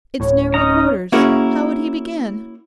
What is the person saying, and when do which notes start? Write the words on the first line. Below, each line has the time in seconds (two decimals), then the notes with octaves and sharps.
It's narrow quarters; how would he begin?'
0.20 D1 A2 C#5
0.54 C#4 D#4 D#5 A#5
1.12 A#3 C#4 E4 F#4 G#4 A#4